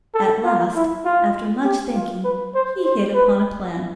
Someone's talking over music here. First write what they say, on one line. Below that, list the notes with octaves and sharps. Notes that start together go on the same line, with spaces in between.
At last, after much thinking, he hit upon a plan.
A4
F4
E4
F4
G4
F4
B4
C5
C5
B4